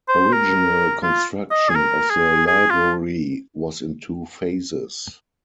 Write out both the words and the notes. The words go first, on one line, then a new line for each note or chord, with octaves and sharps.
Original construction of the library was in two phases.
C5
A#4
F4
D#5
G#4
A#4
G#4
G#4
F4